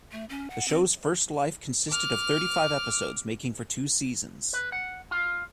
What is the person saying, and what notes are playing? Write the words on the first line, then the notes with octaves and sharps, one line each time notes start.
The show's first life consisted of thirty-five episodes, making for two seasons.
A3
C#4
F#5
C4
D6 F6
B4
F#5
F4